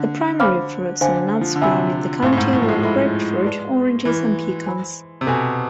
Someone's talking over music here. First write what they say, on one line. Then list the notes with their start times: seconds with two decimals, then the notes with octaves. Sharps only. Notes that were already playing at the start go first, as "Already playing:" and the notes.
The primary fruits and nuts grown in the county were grapefruit, oranges, and pecans.
Already playing: D3
0.40 C5 F5 B5 D6 F6
1.01 D3 C5 F5 G#5
1.41 F3
1.56 D3
1.62 C3 E5 G#5 B5 E6
2.22 A2 C5 F5 G#5 C6
2.32 A2
2.37 G#2
2.53 A2
2.62 F3
2.68 G#3
2.83 G#3 A4 E5 B5 D6
3.45 B4 D5 A5
4.05 E3 E5 B5 D6 F6
4.66 C5 G#5 B5 E6
5.21 C3
5.26 B2 A4 C5 G#5